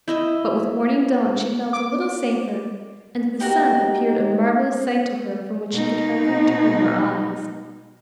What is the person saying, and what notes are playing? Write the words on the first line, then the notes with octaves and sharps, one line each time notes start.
But with morning dawn she felt a little safer, and the sun appeared a marvellous sight to her from which she could hardly turn her eyes.
E4 D#5 E5
D6
D#4 F#4 G4 A#4 G5
B2 D#4